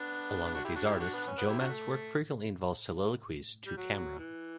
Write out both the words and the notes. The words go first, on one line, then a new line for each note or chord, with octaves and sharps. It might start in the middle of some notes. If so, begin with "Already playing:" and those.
Along with these artists, Joe Matt's work frequently involves soliloquies "to camera".
Already playing: B3 D4
B3 D4
D4 F#4
E4 G4
D4 F#4
E4 G4
D4 F#4
B3 D4
C#4
B3
E4 G4
D4 F#4
A3
G3
F#3
E3